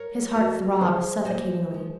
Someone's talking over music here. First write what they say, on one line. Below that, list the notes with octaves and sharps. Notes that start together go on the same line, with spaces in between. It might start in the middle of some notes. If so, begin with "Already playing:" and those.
His heart throbbed suffocatingly.
Already playing: A#4 C#5
F2 F#4 A#4
C#3 F3 G#3 G#4 C5
A#2 C5 D#5
F3 G#3